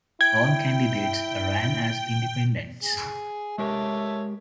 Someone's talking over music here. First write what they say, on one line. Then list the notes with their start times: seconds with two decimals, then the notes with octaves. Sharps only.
All candidates ran as independents.
0.21 E4 G5 G#6
2.83 G#4
3.58 G#3 G4 A#4 C#5 E5 A5